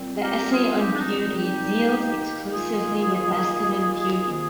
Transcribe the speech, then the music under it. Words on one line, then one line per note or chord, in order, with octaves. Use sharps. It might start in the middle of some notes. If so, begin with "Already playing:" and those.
The essay on beauty deals exclusively with masculine beauty.
Already playing: A#2 G3 C4
G4 A#4
F4 G#4
D#4 G4
D4
D#4
D#4
D#4 G4
D#3 A#3
F4 G#4
C3 D#3 A#3